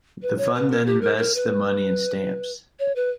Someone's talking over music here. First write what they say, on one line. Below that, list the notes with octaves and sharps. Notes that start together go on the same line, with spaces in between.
The fund then invests the money in stamps.
B4
C#5
B4
A#4
G4
A#4
A#4
B4
C#5
B4